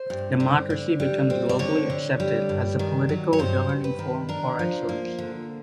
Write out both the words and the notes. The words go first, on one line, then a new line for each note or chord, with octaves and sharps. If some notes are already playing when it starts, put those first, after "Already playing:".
Democracy becomes globally accepted as the political governing form par excellence.
Already playing: C5
G2
D3
D3
G3
C4
D5
D3 C#5
D3
G3
G2
D#3
F#3
C#5
G2 C5
G2
B4
D#3
D4 A#4
F3
A#3
D3